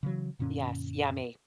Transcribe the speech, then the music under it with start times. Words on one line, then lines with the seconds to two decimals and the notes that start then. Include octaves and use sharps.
Yes, yummy.
0.03 C#3 E3 F#3
0.39 F#2 A#2 D3 C#4